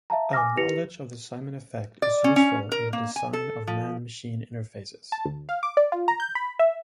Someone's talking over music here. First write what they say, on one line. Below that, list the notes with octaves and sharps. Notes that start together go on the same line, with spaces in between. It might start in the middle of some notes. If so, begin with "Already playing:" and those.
A knowledge of the Simon effect is useful in the design of man-machine interfaces.
E5 F5 A5 A#5
G#5 D6 D#6 F6 A#6
E4 G4 B4 A#6 C#7 F7
D5
C#4
C#4
A#4
A#3
G#5
A4
F3
A5
D2
F5
D6
D5
F4
A#5
G6
B5
E5